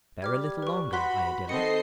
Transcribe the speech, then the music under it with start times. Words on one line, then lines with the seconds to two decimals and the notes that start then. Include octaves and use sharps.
Bear a little longer, Iadilla.
0.22 G3 D6 F6 G#6
0.62 B4 C#6
0.93 F#4 B5 C6 F#6 B6
1.49 D#3 C4 A4 D#5 C7 C#7